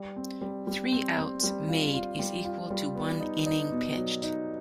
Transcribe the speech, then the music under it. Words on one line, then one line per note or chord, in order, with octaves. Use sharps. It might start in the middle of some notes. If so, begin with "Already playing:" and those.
Three outs made is equal to one inning pitched.
Already playing: G3
C4
G3
G3
C4
C4
G3
F4
F4
G3
F4
G3
B3
D#4
D#4
B2
F#3
D#4